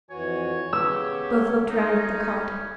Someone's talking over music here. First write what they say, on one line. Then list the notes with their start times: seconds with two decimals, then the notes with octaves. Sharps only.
Both looked round at the cot.
0.10 F2 E3 F#4 C#5 G#5
0.73 C#3 B3 G4 E6
1.69 A3 C#4 D#4